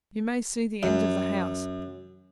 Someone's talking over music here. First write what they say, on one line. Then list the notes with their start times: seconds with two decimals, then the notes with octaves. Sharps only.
You may see the end of the house.
0.83 F#2